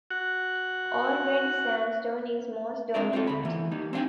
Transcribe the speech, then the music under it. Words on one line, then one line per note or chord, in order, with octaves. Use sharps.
Old red sandstone is most dominant.
F#4 F#5
G#3 C4 D4 A#4 D5
C4 F4 F#4 A4
D2 B5
E3 A#3 B3
G3 A#3 D#4
C4 D4 F5 G5 G#5